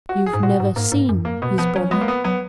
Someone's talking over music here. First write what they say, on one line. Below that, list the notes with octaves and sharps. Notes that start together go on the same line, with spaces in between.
"You've never seen his brother?"
F#4
G#4
G#2
A#2 F#4
G#2
G#2 A#3
G#2
F#2
A#3
B2 B3
F3 B3
F#3 C#4
G#3 B3
A#3
B3
F#3 B3